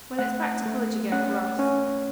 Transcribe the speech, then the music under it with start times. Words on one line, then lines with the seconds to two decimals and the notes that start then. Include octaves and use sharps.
Well, it's back to college again for us.
0.19 A3 F#5
0.66 A3
1.12 C#4 F#5
1.59 C#4